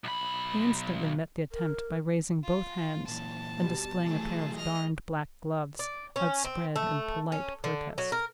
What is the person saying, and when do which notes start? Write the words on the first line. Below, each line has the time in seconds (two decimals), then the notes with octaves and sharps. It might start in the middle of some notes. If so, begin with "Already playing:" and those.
He instantly met the attempt by raising both hands, and displaying a pair of darned black gloves outspread in polite protest.
0.04 B1 B5
1.52 A#4
2.44 F4
3.08 A#2 E3 A5
3.56 B2 G3
4.06 E3 F#3 A3 G#4
4.56 D#5 F6
5.79 D5
6.16 C#4
6.44 C4
6.76 A3
7.32 C#4
7.64 D3
7.98 F#3
8.12 A#4